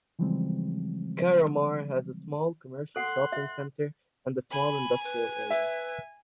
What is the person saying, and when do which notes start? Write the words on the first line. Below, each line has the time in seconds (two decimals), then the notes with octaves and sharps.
Carramar has a small commercial shopping centre, and a small industrial area.
0.19 C#3 E3 F3 G3 G#3 C4
2.96 A4 F#5 C6 F#6
3.32 E5
4.51 G#5 B5
5.04 B4
5.50 B4 E5